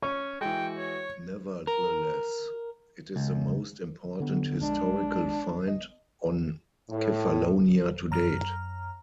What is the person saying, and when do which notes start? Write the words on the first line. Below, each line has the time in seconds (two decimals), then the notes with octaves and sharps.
Nevertheless, it is the most important historical find on Kefalonia to date.
0.03 C#4 C#6
0.41 E3 G#3 F#4 G5
0.78 C#5
1.67 A#4
3.16 C#2
4.20 D3 B3
4.62 A#1 G#3 D4
5.68 D#5
6.90 A2
8.11 F#2 A#5 F6